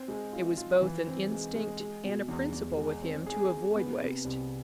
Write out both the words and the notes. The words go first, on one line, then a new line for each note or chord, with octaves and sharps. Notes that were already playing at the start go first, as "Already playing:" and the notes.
It was both an instinct and a principle with him to avoid waste.
Already playing: C4
G#3
F4
F4
E3
C4
G#3
G#3
G#3
B2
E2
E2
G#3
C4
G#4
G#4
B3
C3
C2